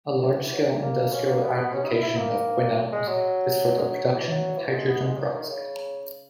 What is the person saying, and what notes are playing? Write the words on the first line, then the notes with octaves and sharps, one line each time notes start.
A large scale industrial application of quinones is for the production of hydrogen peroxide.
F#3
E3
F#3
E3
F#3
A#3
C#4
A#3
B3
C#4
D#4
E4
E4
A#3
G#3
F#3
G#3
F#3
E3
F#3
E3
F#3
G#3
B3
G#3
F#3
D#3
C#3